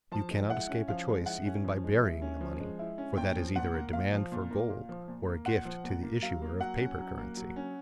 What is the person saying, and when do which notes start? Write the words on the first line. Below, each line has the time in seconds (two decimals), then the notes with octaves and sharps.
You cannot escape a choice even by burying the money, for that is either a demand for gold or a gift to the issuer of paper currency.
0.12 F3 A5
0.31 G#3
0.50 E4 F#5
0.69 C#4
0.88 F3 F5
1.07 G#3
1.26 E4 F#5
1.46 C#4
1.64 F3
1.84 G#3
2.03 E4
2.22 C#4
2.41 F3
2.60 G#3
2.79 E4
2.98 C#4
3.17 A#2 G5
3.36 F3
3.55 A#2 F#5
3.74 A#3
3.93 A#2 F5
4.12 F3
4.32 A#2
4.51 A#3
4.70 A#2
4.89 F3
5.08 A#2
5.27 A#3
5.46 A#2 F#5
5.65 F3
5.84 A#2
6.03 A#3
6.22 F#3 F5
6.42 A#3
6.61 F#3 F#5
6.79 C#4
6.99 F#3
7.18 A#3
7.37 F#3
7.56 C#4